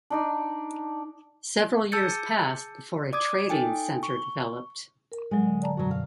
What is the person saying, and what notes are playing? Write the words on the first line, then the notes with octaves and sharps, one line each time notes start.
Several years passed before a trading center developed.
D4 D#4 D5
G#4 A5 E6 G6 A6 C#7
D5 D6 D#6 G#6
D#4 A4 G5 G#5
C#6
A#4
A2 F#3 G#3
D3
D5 A5 A#5
F#2 B2 F#3 F#4 A#5
F5